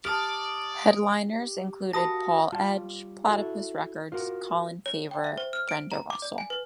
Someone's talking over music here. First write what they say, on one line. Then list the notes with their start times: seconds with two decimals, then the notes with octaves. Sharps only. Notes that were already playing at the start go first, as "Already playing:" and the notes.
Headliners included Paul Edge, Platipus Records, Colin Favor, Brenda Russell.
0.05 G4 D5 A5 D#6 F6 D7
1.26 G4
1.93 F#4 A#4 F5 A5 B5 D#6 A#6
2.52 G3 F4 A5
3.27 E4 F#4 A4 E5
4.12 F4 F#4 A#4
4.86 C#5
5.11 G5
5.24 E5
5.38 C5
5.53 F6
5.69 D7
5.91 A#5
6.10 D6
6.22 D5
6.38 G#5
6.50 B4